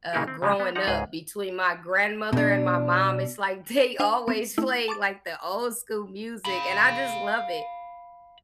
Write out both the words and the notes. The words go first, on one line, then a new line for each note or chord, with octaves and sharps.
uh, growing up between my grandmother and my mom, it's, like, they always play, like, the old school music, and I just love it.
A#2 C#3 A#3 D#4 E4 G4
C4
C#3 F3 G#3
B3
F3 D#4 F#5 A#5
C#2 G#2 G#4 D#5
B2 D4
D4 C5 D#5 F5 G5 G#5
B3 C4
A3 D#4 E4
A5 C#6 D6 A6
F5 B5